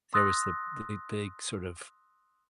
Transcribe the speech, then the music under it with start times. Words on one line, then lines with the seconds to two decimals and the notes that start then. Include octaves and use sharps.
there was the big big, sort of,
0.14 C6 D#6 E6 F#6 A6 A#6